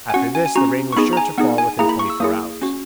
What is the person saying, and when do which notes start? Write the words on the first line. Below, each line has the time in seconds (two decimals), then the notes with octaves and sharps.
After this the rain was sure to fall within twenty-four hours.
0.10 G#5
0.14 C#4 F#4 F#5
0.35 G#5
0.46 G#5
0.56 C#4 F#4 A#5
0.93 C#6
0.96 B3 D#4 G#4 B5
1.13 A#5
1.17 G#5
1.38 B3 D#4 G#4 F#5
1.58 G#5
1.79 A#3 E4 G#4 A#5
1.89 B5
1.99 C#6
2.10 E6
2.20 A#3 E4 G#4 D#6
2.62 C#4 F#4